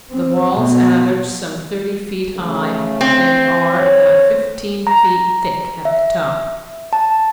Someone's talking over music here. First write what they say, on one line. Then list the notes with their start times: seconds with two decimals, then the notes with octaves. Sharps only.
The walls average some thirty feet high and are about fifteen feet thick at the top.
0.12 C4
0.55 B2
2.35 C#3 A3
3.01 C4
3.71 C#5
4.87 A#5
5.85 E5
6.93 A5